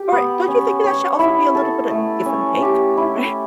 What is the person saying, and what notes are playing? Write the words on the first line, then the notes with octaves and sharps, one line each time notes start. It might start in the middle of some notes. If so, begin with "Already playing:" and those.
Or don't you think that that should also be a little bit of give and take? Right?
Already playing: G4
B3
C#4
C#5
E4
A4
A3
C#4
G4
E4